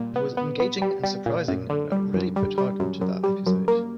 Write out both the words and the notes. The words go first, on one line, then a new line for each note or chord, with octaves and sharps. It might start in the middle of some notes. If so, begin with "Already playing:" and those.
It was engaging and surprising and I really put heart into that episode.
Already playing: A#2 G3
B3
B3
B3
G3
G3
A#2
F#2
D3
G3
F#2
G3
G3
F#2
F#2
G3
F#2
A#3